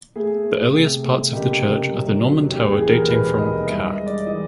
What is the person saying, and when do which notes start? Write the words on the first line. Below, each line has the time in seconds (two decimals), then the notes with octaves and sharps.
The earliest parts of the church are the Norman tower dating from ca.
0.16 A3 G#4
0.45 A3
0.74 C3
1.03 A3
1.32 F#1 G4
1.62 F#1
1.92 F#2
2.21 F#3
2.50 D#2 G4
2.70 G#4
2.79 E3
2.89 A#4
3.02 A#4
3.08 E1 B4
3.38 D#2 D#5
3.67 G2 E5
3.87 D#5
3.96 G#3
4.07 D5
4.26 E3 D#5